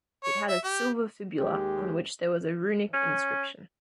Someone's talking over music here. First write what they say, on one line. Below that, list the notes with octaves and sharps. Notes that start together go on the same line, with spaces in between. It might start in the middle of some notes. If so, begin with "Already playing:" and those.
It had a silver fibula on which there was a runic inscription.
C#5
E5
G4
D#2 G#3 G4
C#4